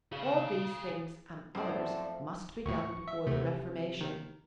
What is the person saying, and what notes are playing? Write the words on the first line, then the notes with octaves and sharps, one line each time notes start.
All these things--and others--must be done before the reformation.
G#4 F5
F#2 A2 F3 A3 C4 C5 D5
D2 A2 C#6
E5
D2 C3 A3
D#3